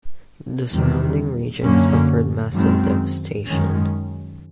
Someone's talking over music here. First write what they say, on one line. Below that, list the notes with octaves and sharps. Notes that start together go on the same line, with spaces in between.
The surrounding region suffered massive devastation.
E2 C3 D#3 G3
F#2 D3 F#3 A#3 C#4
F#2 D#3 G#3 C4
F#2 D#3 G#3 C#4